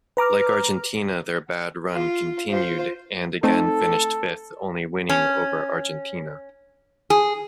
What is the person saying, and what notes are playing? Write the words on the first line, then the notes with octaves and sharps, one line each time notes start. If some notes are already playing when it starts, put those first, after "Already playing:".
Like Argentina their bad run continued and again finished fifth only winning over Argentina.
B4 A#5 D6 F6
F4
F4 C5
A3 C4 D#4 A4
C#4
G#4